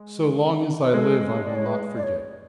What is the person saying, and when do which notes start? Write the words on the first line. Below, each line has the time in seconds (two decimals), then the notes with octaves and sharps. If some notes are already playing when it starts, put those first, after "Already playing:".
So long as I live I will not forget.
Already playing: G#3
0.84 B4
0.94 G#3 A4
1.44 D5
1.55 C#5
1.66 B4
1.97 D5
2.03 C#5